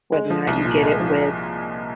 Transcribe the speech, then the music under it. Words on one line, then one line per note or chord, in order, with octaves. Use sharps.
whether or not you get it with
G#3
F3
C2
A#2
G#3
F3